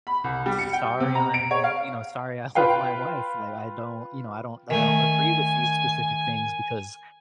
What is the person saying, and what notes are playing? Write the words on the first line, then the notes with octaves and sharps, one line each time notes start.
"Sorry, I'm" You know, "Sorry, I love my wife." Like, I don't you know, I don't that I don't agree with these specific things because,
B5
C2
G3
C#7
G5
C3
A#5
D7
C#5
F5
F4 B4 F5 G5
D#3 A3 G#5